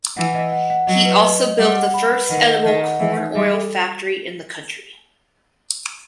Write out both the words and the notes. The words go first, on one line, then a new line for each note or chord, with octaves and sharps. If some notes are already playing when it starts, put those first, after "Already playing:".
He also built the first edible corn oil factory in the country.
E3 F#5
D#5
F#5
F#5
F#3 D#5
B4
D#5
D#5
G3 F#5
F#5
B5
B4
D#3 F#5
D#5
D#3 D#5
F#5
E3 E5
D#4
G3 E5
A4